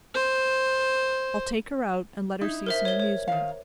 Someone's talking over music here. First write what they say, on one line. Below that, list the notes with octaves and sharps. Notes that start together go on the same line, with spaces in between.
I'll take her out and let her see some amusement.
C5
D#4 E4
A#4 C5 E5
C#5 G7
C#5
D#3 F5